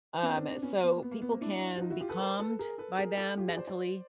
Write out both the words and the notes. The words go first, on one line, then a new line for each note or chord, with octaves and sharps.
Um, so people can be calmed by them mentally,
B3 C#4
C4 D4
C4 D4
B3 C#4
B3
A#3
B3
A#3
B3
A#3 C4
D4 E4
F#4
D#4 F4
E4 F#4
F4 G4
A4 B4
A#4 C5
A4 B4
G#4 A#4
A4 B4
G#4 A#4
G4 A4
F4 G4
F#4 G#4
C5 D5
C5 D5